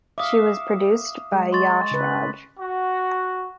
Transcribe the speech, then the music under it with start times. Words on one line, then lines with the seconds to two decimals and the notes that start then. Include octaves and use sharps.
She was produced by Yash Raj.
0.18 E5 F5 D6 D#6
1.33 G#3
1.52 C6 C#6 A6
1.91 C#3 B4
2.58 F#4